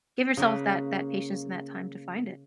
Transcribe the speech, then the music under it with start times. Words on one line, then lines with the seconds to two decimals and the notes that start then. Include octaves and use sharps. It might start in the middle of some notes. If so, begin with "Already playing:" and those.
give yourself that that patience and that time to find it.
0.37 C#3 A#3 B4